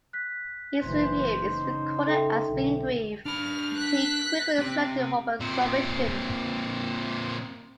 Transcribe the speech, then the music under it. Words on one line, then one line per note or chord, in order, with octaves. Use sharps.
His review is recorded as being brief, and he quickly selected Hoban's submission.
F#6 B6
F#1 E3 C5
C#3 D#4
A4 E5 G5
B1 D3
D4 B5 F6
F#6 B6
C4 G4
A#2 C4